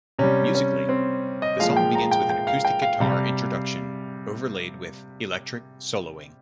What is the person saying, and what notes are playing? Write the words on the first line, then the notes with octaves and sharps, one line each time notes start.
Musically, the song begins with an acoustic guitar introduction overlaid with electric soloing.
C3 G3 C#4
C#4
C4
D#5
A#2 F3 G#3 F5
G5
A#5
G5
G5
F5
G5
F5
C3 G3